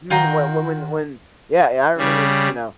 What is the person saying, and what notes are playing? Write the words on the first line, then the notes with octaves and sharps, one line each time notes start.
I mean, whe when when when yeah yeah, I remember, you know,
D#3 F4 F#4 G5 A#5
C#3 G3